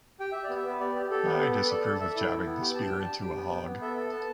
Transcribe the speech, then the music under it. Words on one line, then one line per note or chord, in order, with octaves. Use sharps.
I disapprove of jabbing the spear into a hog.
G4 G5
G4 E5
D5
B3
E5
B3 B4
G4 D5
G4
G4 A4
B3
A4 B4
A4
B4
A4 D5
A4
A4 E5
E4
G5
E4
B3
G4
G4 A5
D4 G5
A5
G4
G4 G5
B3
B3
B3
A4 E5
A4
B3 A5